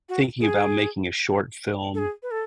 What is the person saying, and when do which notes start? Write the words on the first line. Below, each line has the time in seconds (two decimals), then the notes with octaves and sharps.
thinking about making a short film
0.09 F#4
0.41 G#4
1.95 A4
1.99 G#4
2.23 B4
2.31 A4